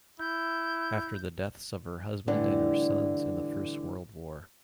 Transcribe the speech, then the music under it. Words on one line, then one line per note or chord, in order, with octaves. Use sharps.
After the deaths of her husband and her sons in the First World War.
E4 G6
A2 D3 E3 G3 D4